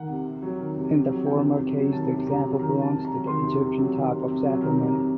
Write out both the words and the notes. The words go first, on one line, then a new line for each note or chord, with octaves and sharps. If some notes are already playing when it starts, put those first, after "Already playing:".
In the former case the example belongs to the Egyptian type of sacrament.
Already playing: D#3 F#5
C3
C3
F#3
D#3
C3
C3
F#3
D#3 G5
C3
C3
F#3
D#3 A5
C3
C3 A#5
F#3
D#3 A#5
C3 A5
C3
A#5
F#3
D#3 C6
C3
C3
F#3
D#3
C3
C3
F#3
D#3 A#5
C3
A#5
C3